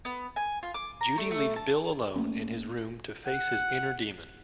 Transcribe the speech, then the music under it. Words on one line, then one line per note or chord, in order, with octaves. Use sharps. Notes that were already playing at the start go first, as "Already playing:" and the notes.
Judy leaves Bill alone in his room to face his inner demon.
B3
G#5
F4
D6
A#5
A3
A3
A5
A3 A#3 C#4
F#5